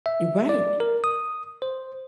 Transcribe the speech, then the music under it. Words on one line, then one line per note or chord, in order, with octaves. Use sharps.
You right.
E5
D5
A#4
D#6
C5